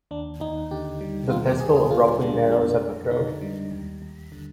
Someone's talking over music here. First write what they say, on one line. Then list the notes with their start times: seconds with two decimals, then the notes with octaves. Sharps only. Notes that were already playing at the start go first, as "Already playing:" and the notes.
The pistil abruptly narrows at the throat.
0.11 D#2 D4
0.40 D#2 D#4
0.71 D3 G4
1.01 G3
1.30 D#2 F4
1.45 G4
1.60 D#2 G#4
1.76 G#4
1.91 D3 F4
2.21 G#3 D4
2.51 F2 D4
2.81 F2
3.11 D3 D#4
3.41 G3
3.71 D#2
4.02 D#2
4.32 D3